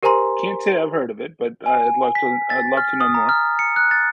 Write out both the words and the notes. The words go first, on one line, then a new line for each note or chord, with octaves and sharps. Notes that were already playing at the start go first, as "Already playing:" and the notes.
can't say I've heard of it, but I'd love to I'd love to know more.
G4 A#4 C5 G#5 A#5 C6
G#5
B6
A6
F6
D#6
A#5
F6
C#7
F#6
A6